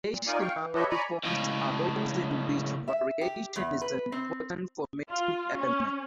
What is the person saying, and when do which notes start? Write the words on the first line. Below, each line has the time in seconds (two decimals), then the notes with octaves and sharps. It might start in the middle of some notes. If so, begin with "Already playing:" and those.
Variational forms are those in which variation is an important formative element.
0.10 A#2
0.27 A#3 D#4 F4 D5 G#5
0.41 F5 G5 C#6
0.60 E3
0.74 G4 A4 B4 C#5 D#5 E5
0.90 D5 G#5 A#5 B5 C#6
1.24 C#2 A2
2.88 E5
3.21 G4
3.56 E2
3.81 B4
4.12 C4
5.09 F4
5.55 C#4